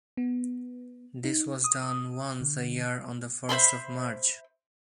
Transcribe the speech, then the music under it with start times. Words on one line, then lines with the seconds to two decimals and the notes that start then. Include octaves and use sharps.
This was done once a year on the first of March.
0.17 B3
1.24 D#4
1.64 D#6
2.41 D3
3.49 C5 E5 B5 C6